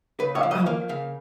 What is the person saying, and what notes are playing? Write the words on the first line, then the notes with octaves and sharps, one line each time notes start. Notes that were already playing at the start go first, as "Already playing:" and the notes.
uh, oh god.
C#3 B4
C#5
F3
D#5
A#3 F5
C#3 F5